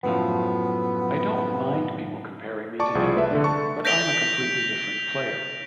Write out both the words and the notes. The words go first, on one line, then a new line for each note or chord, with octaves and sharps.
I don't mind people comparing me to him but I'm a completely different player.
F#2 A2 F3 B3
D5 A5 C#6 D6
C2 F3 G#4
A3 B4 D5 E5
D3 A3 D4
A5 C#6
G6 A#6 B6 D7 F7 G7